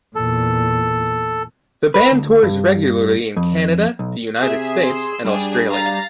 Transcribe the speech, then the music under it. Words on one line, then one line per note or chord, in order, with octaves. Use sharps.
The band tours regularly in Canada, the United States and Australia.
E2 A#2 A4
B4
D2
G2
F2
B1
C3 G#4 E5
C6 E6
G2 G3 D4 G#4
F5 A#5 A6